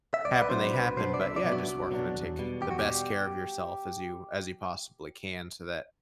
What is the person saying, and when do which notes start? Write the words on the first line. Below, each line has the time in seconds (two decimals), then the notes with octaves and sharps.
happen, they happen, but yeah, just working to take the best care of yourself as you as you possibly can so that
0.14 E5
0.25 C2 D5
0.42 B4
0.49 B2 F#3 B3 D4 C5
0.74 C2 B4
0.97 B2 F#3 B3 D4 C5
1.14 D5
1.20 C2 E5
1.36 D5
1.44 B2 F#3 B3 D4
1.52 F#4
1.68 C2
1.91 B2 F#3 B3 D4
2.15 E2
2.39 B2 G3
2.62 E2 G4
2.71 F#4
2.79 G4
2.85 B2 G3